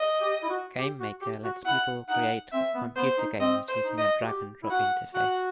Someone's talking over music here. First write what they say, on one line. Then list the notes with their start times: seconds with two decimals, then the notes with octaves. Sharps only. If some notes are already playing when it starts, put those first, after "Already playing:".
Game Maker lets people create computer games using a drag-and-drop interface.
Already playing: D#5
0.21 G4
0.43 E4
0.49 F#4
0.79 G4
1.00 F#4
1.22 G4
1.44 F#4
1.65 E4 F#5
2.09 D#4 F#5
2.52 C4 E5
2.74 B3
2.96 B3 C5
3.18 D#4
3.40 C4 D#5
3.68 C5
3.83 D#4
3.98 D#5
4.21 F#4
4.27 G4
4.63 E4
4.70 F#4 F#5
5.14 F#4 F#5